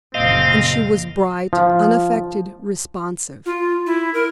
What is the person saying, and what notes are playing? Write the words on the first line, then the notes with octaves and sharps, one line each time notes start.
And she was bright, unaffected, responsive.
F#1 A#2 C4 D#5 F5
F3
F4
E4
A#4